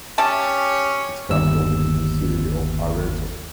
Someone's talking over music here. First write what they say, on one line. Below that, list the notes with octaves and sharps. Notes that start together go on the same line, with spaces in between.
Its capital is the city of Arezzo.
C#4 G4 C#5 D5 E5 A5
G1 D#2 E6